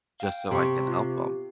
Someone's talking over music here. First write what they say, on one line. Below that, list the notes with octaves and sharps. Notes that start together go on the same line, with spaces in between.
just so I can help 'em.
F5 G5
C3 G5 C6 C#6
F4 G4